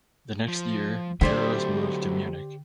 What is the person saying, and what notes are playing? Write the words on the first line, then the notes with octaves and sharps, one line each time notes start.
The next year, Bayros moved to Munich.
F3
D3 F#3 A3 G4 C5 D5